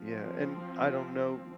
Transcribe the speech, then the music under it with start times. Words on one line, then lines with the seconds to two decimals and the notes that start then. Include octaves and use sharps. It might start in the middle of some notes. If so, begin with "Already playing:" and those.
Yeah, and, I don't know
Already playing: F3 C4
0.80 F4